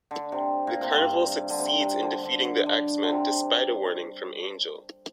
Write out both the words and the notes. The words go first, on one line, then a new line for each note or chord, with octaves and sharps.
The carnival succeeds in defeating the X-Men despite a warning from Angel.
D3
C3
A#2
C3
G2
D3
C3
C3
D3
D3
D3
D3
D3
C3